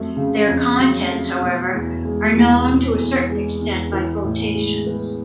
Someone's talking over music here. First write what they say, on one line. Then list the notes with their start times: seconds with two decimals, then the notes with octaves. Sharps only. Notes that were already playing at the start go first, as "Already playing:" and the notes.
Their contents, however, are known to a certain extent by quotations.
Already playing: F2 F#3 A3
0.16 C#3
0.47 F2
0.79 F#3
1.10 A3
1.42 B2
1.73 E2
2.05 G#3
2.35 E2
2.67 B2
2.98 E2
3.29 G#3
3.61 E2
3.93 E3
4.24 A2
4.55 G#3
4.86 B3